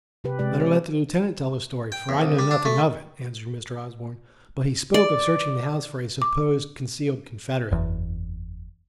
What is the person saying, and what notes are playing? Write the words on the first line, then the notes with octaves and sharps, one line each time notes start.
"Better let the Lieutenant tell the story, for I know nothing of it," answered Mr. Osborne; "but he spoke of searching the house for a supposed concealed Confederate."
C3 G4 B4
C3 G#3 G4 D5
B4 C#5
G5
E2
C2
G3
D4
A3
D5
D6
F#1 E2